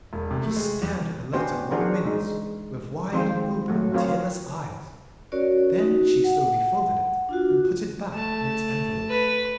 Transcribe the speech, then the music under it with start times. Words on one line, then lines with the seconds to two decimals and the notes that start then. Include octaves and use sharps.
She stared at the letter long minutes with wide-open, tearless eyes, then she slowly folded it and put it back in its envelope.
0.13 E1
0.31 C3
0.43 A3
0.57 G#3
0.82 E2
1.33 B3 C#4 D4 F#4 G4 C5
1.71 E3 D4 F#4 G#4 A#4 C5
2.05 G#3 D#4
3.12 D#3 F3 G#3 C4 F4 C5
3.68 F#3 A3 F#4
3.92 F#3 C4 F4 A#4 C#5
5.32 C#4 F#4 A#4 C#5 D5
5.76 D#4 F#4
6.24 F#5
7.29 D4 F4 F#4
8.10 A3 A5
9.09 B4